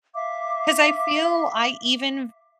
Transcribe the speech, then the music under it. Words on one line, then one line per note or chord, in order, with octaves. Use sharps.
'cause I feel I even
E5 F5 D6